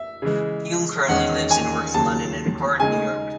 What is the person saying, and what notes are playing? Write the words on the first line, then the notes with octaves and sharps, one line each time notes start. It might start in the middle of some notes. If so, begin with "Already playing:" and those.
Hume currently lives and works in London and Accord, New York.
Already playing: E5
C#3 E3 G#3
E2 D#3 G#3 C#4 F#5
G#5
D#2 C#3 F#3 A5
C#3 G#3 D#4 G#5